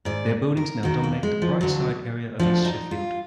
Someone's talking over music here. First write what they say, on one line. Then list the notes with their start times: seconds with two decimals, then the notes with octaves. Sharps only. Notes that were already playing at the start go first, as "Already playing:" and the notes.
Their buildings now dominate the Brightside area of East Sheffield.
0.05 G#2 D#3 D5
0.57 A#4
0.83 D#2 D#3 F#4
1.04 A#3
1.23 G#3
1.42 F3
1.61 D2 D3 F3 F#3
2.39 D2 D3 F3 D4
2.65 D#4
2.91 F4